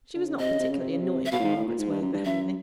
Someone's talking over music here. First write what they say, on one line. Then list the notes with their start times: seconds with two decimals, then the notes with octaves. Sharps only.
She was not particularly annoyed at Margaret's way of behaving.
0.15 D3
0.27 C#3
0.39 C3 D#5
0.49 C#3
0.60 C3
0.70 C#3
0.80 C3
0.90 C#3
1.00 C3
1.26 E5
1.32 B2 F5
1.39 A2
1.44 G#2
1.56 A2
1.68 A#2
1.79 G#2
1.90 G2
2.02 F#2
2.14 G2
2.25 F#2 E5